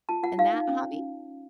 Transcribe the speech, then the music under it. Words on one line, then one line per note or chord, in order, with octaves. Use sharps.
in that hobby.
F4 A5
F4 F#5
D#4 F5
D#4
C#4
C#5